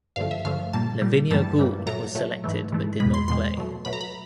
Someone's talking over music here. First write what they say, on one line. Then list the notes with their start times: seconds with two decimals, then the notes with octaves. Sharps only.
Lavinia Gould was selected but did not play.
0.16 G2 D3 F3 A3 F5
0.31 E5
0.45 G2 D3 F3 A3 F5
0.73 A#2 G3 A#3 A5
1.01 A#2 G3 A#3
1.31 G2 E3 G3 A#3 A5
1.58 G2 E3 G3 A#3
1.86 A#2 F#3 A3 A#5
2.15 A#2 F#3 A3
2.44 G#2 E3 A3
2.72 G#2 E3 A3
3.00 E2 B2 G#3 B5
3.14 C6
3.28 E2 B2 G#3 C6
3.57 B2 F#3 A3
3.85 B2 F#3 A3 B5
3.93 A#5
4.01 B5